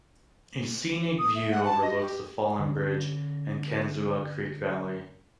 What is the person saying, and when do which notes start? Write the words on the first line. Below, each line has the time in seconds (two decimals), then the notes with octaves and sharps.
A scenic view overlooks the fallen bridge and Kinzua Creek Valley.
1.19 D#6
1.35 E5
1.51 F#5
1.65 A5
1.82 D#5
1.98 G4
2.59 D3 C#4